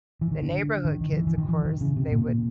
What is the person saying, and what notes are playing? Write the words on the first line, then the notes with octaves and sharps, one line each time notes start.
the neighborhood kids, of course, they would
E3
D#3
D3
D#3
D#3
D#3
E3
E3
D#3
E3
D#3
C#3
C3
A#2